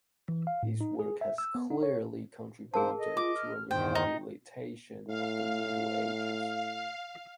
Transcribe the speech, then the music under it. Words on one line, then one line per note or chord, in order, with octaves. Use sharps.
His work has clearly contributed to a rehabilitation of the Middle Ages.
E3
F5
A2
D#4
G#4
E5
E6
B3
D#4
C#5
G#2 G#4 A#4 C5 F5 A5
A4 D#5
F4 D6
F6
E2 G2 D#3 C5 G5
D#4
A2 F5